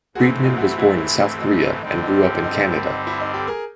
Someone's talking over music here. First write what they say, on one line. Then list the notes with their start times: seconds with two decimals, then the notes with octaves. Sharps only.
Friedman was born in South Korea and grew up in Canada.
0.15 G#2 E3 A3 C4 F#4 G#4
0.43 D#4 F4
0.57 E4 F#4
0.78 E4 F#4
0.98 E4
1.19 E4
1.40 D#4 F4
1.82 G2 D3 G3 C4 D#4
2.02 D#4
2.23 E4
2.34 D#4
2.44 D#4
2.55 D#4
2.65 E4
2.86 D#4
3.07 E4
3.20 D#4
3.34 G4 A4
3.48 G#4 A#4